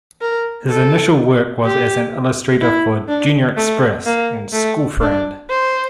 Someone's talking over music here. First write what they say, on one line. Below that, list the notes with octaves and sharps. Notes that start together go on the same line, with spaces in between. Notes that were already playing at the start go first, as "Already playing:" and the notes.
His initial work was as an illustrator for "Junior Express" and "School Friend".
A#4
A4
G4
E4
D4
A3
A#3
A3
D4
C5